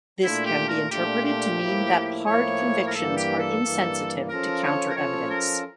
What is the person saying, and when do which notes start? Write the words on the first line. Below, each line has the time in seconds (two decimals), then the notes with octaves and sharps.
This can be interpreted to mean that hard convictions are insensitive to counter-evidence.
0.23 A#2 A3 D4 E4 F4
0.45 G4
0.68 A#4
0.91 A#2 A3 D4 F4 G4
1.25 G4
1.59 A2 F3 A#3 E4
2.26 A2 F3 A#3 E4 C#5
2.87 A#4
2.94 G2 E3 A#3 A4
3.16 G4
3.39 A4
3.61 G2 E3 A#3
4.29 F3 C#4 F4 A4 A#4
4.63 C#5
4.90 A#4
4.96 F3 C#4 F4 A4 C#5
5.30 A#4